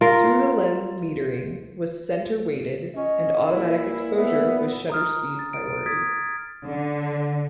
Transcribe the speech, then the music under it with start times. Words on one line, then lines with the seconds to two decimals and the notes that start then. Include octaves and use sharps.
Through the lens metering was center weighted and automatic exposure was shutter speed priority.
0.01 F4 A#4
2.95 C#4 D#5
3.51 A#2 E4
4.16 B3 E5
4.90 A#5 D#6 F6
5.39 A6
5.53 D7
5.86 D#6 G#6 A6 B6 D7
6.66 D3